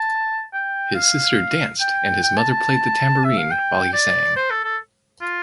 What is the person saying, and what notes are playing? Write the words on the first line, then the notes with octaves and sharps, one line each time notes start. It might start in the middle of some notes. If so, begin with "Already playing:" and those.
His sister danced and his mother played the tambourine while he sang.
Already playing: A5
G5
F5
G5
G5
A5
A5
E5
F5
G5
D5
C5
A4
A4
F4